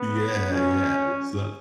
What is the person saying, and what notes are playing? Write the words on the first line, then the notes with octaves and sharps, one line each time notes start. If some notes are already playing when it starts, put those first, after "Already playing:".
Yeah, yeah, so.
Already playing: B3
B2 F#3 C#4